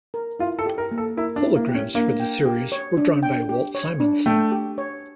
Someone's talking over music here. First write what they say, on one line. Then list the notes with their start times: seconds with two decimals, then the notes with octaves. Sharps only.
Holograms for the series were drawn by Walt Simonson.
0.14 A#4
0.39 E4 F4
0.59 A4
0.66 G4
0.78 A#4
0.91 A#3
0.98 A4
1.17 E4 A#4
1.36 D4
1.43 E4
1.56 A#3
1.69 G4
1.75 C#4
1.94 A#3 D4
2.20 G5
2.46 G4
2.72 C#5
2.97 D4
3.23 G5
3.49 G4
3.75 C#5
4.00 D4
4.26 A3 G5
4.52 G4
4.78 C#5